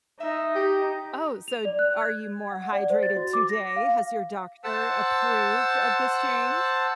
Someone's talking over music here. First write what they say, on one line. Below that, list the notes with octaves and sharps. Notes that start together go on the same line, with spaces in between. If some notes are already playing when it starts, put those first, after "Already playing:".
Oh, so d are you more hydrated today? Has your doctor approved of this change?
D#4 E5
G4
F7
D5
F#6
G#6
F#5
D5
C5
A6
F#4
D6
A#6
F5
C5 F#5 A5 E6